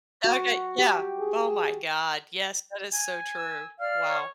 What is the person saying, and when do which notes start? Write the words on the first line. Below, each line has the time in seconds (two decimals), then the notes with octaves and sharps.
Okay. Yeah. Oh my god. Yes, that is so true. Wow.
0.24 F#4
0.79 G4
1.20 G#4
2.93 G#5
3.33 E6
3.79 D5 F5 F6
4.09 C#5